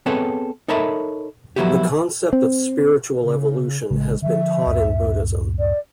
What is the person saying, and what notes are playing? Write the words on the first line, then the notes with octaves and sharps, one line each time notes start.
The concept of spiritual evolution has been taught in Buddhism.
B3 C4 G#4 A4 B4 C#5
D#4 A4 A#4 C#5 E5 B5
F3 F#3 B3 E4 F#4 G4
C4
C#3
A1 C#3 G#3
D3 E3 F3 E5
C#2 F#2 A2
D5